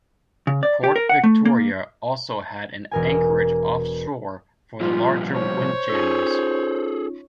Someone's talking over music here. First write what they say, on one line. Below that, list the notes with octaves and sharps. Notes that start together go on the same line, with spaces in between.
Port Victoria also had an anchorage offshore for the larger windjammers.
C#3
D5
G4
A#4
F#5
A3
A#3
E1 A#4 G#5
A#2 F3 G3 F4
C5 C#5
C#4 D#4 F4 G#4 A4